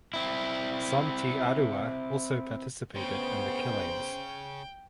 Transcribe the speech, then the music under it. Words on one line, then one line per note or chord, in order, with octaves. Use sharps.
Some Te Arawa also participated in the killings.
C4 E4
D2 C#3 B3 C5 G5